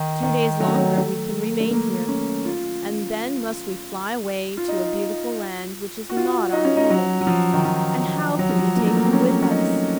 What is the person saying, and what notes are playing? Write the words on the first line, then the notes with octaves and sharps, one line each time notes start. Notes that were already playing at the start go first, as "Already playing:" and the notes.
Two days longer we can remain here, and then must we fly away to a beautiful land which is not our home; and how can we take you with us?
Already playing: D#3
D#3
F#3
A3
F#3
A3
A3
A#3
C#4
F4
F4
D#4
F#4
F4
D#4
C#4
D#4
F#3
F#3
F3
D#3
F3
F#3
F3
F#3
A#3
A3
A#3
C4
C#4
C#4
D#4